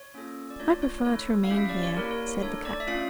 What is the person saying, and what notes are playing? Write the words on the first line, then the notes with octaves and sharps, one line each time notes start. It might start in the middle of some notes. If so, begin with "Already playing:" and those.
"I prefer to remain here," said the cat.
Already playing: C#5
A#3 C#4 F4 A4
D5
A3 D4 F4 C#5
C#5
A3 E4 A4 C#5
F5
C#4 E4 G4
E5
D5
C#5
A#3 E4 G4 A#4
C#5
C#5
A3 D4 A4 C#5
D5
E5
A3 C#4 F4 F5